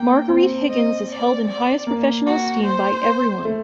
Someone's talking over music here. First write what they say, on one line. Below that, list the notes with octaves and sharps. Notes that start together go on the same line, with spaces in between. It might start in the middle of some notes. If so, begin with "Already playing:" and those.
Marguerite Higgins is held in highest professional esteem by everyone.
Already playing: A#3 G5
C4
D#5
D5
D5
A#3
F#4
C5
A3